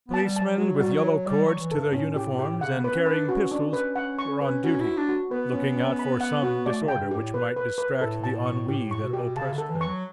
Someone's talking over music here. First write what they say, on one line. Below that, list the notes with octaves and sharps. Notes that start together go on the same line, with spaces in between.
Policemen, with yellow cords to their uniforms and carrying pistols, were on duty, looking out for some disorder which might distract the ennui that oppressed them.
B3
A5
G3
A5
F#3
F#3 F#4
G3
F#4
F#3
C#5
F#3
G3 D5
F#3
C#6
E3
G2 A4
A2 C#4
G4
G4
C#3 F#5
B3
B4
C#4
B4
D4
C#4 F#4
D4
B4
F#5
C#6
B4
C#4 F#4
E4
F#4
D4
F#4
B3 B4
C#4
C#4
B5
F#5
F#4
A3 D5
C#3
G5
G2
G4
A2
B4
B4
B4
A2 A4
A5
C#6
A2 G4
C#6
B2
G4
C#3 A5
D3 A4
E3
C#6
F#3